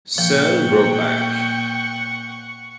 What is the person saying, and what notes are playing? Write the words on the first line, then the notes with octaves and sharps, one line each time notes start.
Sam Brownback.
A#2 F3 F#5 G5 C#6